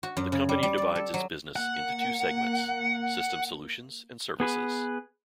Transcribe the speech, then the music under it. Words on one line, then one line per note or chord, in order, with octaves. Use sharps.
The company divides its business into two segments: Systems Solutions and Services.
F#4
F#2
C#3
G3
G3
D5
A4
F#3
A#3 F#5
B3 G#4 B4